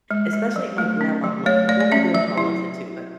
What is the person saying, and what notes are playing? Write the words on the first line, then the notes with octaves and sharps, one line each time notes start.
Especially my grandma loves it well, my grandpa loves it too, but
G#3
G#3
F#3
A3
C#4
F#3
A3 C#5
A3 D5
D5
C#4 E5
F#3 E5
E4